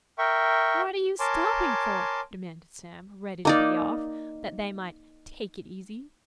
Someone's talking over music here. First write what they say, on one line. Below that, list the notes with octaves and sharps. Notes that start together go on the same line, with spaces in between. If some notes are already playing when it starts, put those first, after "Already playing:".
"What are you stopping for?" demanded Sam, ready to be off, that they might "take it easy."
A#4 E5 G5 C#6
A#4 C#5 G#5 A5 C6 D6
A#3 D#4 D5